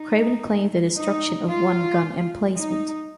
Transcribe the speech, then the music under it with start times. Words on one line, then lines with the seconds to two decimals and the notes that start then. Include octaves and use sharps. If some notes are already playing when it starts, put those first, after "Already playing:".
Craven claimed the destruction of one gun emplacement.
Already playing: D#4
0.95 D#4
1.49 F4
2.55 D#4